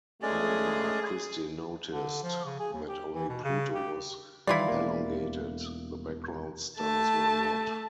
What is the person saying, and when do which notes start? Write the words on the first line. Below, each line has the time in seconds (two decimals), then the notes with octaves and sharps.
However, Christy noticed that only Pluto was elongated-the background stars were not.
0.22 G#3 A3 C#4 G#4 D5
1.92 D3
2.23 F3
2.45 C#3
2.60 G#4
2.73 D#2
2.89 G4
3.14 E3
3.29 B2
3.44 C#3
3.75 G4
4.47 D#3 E3 G3 E4 F4 D5
4.68 E1 A#3
6.78 A3 A5